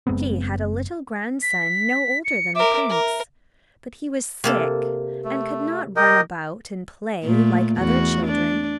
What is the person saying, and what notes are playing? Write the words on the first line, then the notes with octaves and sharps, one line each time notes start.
She had a little grandson no older than the prince, but he was sick and could not run about and play like other children.
F#1 G#3 B3 C4
B6
C#7
A#4 E5 D6
A#4
C3 A#3 A4
A3
G4 A#4 D#5
A#2 A3
E2 A3 F#4
D4